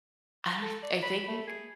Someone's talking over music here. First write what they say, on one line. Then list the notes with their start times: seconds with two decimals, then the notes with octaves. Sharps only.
I don't I think
0.62 A4
0.82 D5
1.03 B5
1.28 A3
1.47 G#4